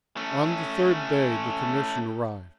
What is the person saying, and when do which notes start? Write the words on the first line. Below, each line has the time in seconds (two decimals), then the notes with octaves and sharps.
On the third day the commission arrived.
0.17 A3 C#4